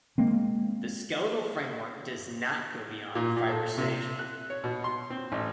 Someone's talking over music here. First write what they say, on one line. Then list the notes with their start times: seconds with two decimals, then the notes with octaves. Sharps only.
The skeletal framework does not go beyond the fibrous stage.
0.18 G#3 A#3 C4
3.15 A#2
3.36 A#2
3.49 A4
3.78 C3
4.19 F#6
4.50 C#5
4.64 B2
4.84 C6
5.10 C4
5.32 A1